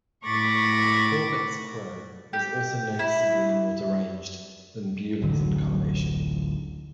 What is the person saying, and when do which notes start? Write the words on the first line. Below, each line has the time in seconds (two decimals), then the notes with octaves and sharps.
Corbett's Crow was also noticeably more deranged than Beaulieu's incarnation.
0.25 A2 B5 C#6 D6 A6 A#6
2.33 G4
2.99 E4
5.22 D1 A1 D3 F#3